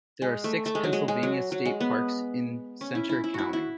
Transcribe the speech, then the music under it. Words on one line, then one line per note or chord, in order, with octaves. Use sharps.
There are six Pennsylvania state parks in Centre County.
G#3
A3
A3
G#3
F#3
G#3
G#3
F#3
F#3
G#3
B3
C#4
E4
E4
E4
E4 F#4
E4